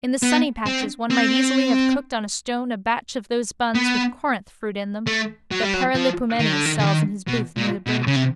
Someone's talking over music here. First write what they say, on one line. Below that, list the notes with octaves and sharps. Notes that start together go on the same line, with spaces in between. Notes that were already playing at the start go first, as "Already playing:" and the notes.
In the sunny patches one might easily have cooked on a stone a batch of those buns with Corinth fruit in them that Periplipomenes sells in his booth near the bridge.
B3
C4
C4
B3
A3
F#3
G3
F#3
F3
D#3
D3
D#3
D3
D#3
B2
A#2
B2
C#3
C3